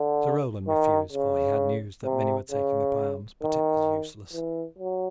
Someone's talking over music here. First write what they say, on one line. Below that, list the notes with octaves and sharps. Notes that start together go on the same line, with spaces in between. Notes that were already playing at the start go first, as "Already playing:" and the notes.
Sir Roland refused, for he had news that many were taking up arms, but it was useless.
Already playing: D3
D#3
C#3
C3
C#3
D#3
E3
F#3